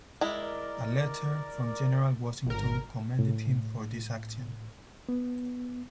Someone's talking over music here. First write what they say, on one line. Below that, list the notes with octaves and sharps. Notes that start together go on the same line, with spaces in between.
A letter from General Washington commended him for this action.
G#3 E4 A#4 D5
G#1 A#4
A2
B3